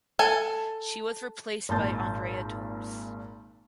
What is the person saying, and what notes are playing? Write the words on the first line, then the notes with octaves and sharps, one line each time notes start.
She was replaced by Andrea Torres.
A4 G#5
G#1 A#2 A5 C6 G6 A6